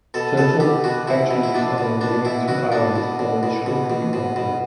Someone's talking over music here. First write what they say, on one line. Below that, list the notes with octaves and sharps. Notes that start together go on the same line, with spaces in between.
Turtle hatcheries on the remaining two islands followed shortly after.
B2 A4
B2 A4
B2 G4
B2 F#4
B2 E4
B2
E4
B2 D4
B2
B2 D4
B2 E4
B2 F#4
B2 D4
B2
B2
B2
B2
B2
B2
B2